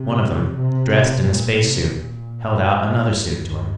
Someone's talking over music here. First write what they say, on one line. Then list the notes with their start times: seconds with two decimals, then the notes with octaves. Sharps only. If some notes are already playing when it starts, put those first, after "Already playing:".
One of them, dressed in a spacesuit, held out another suit to him.
Already playing: C3
0.57 C3
1.25 A#2
1.60 C3
1.94 A#2
2.63 A2
3.32 G2